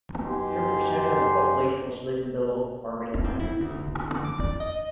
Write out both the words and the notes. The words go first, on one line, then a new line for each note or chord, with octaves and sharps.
Three percent of the population was living below the poverty line.
F#2 B3 D#4 G4 G#5 C6
C4
E4
D2
D3
D6
D5
D#5